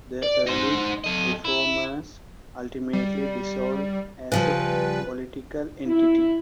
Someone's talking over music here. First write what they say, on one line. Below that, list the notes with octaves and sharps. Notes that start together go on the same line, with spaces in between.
The early reformers ultimately dissolved as a political entity.
D5
D#4 C5
A4 D#5
E4
G3
C#3 F3 G3 B4
E4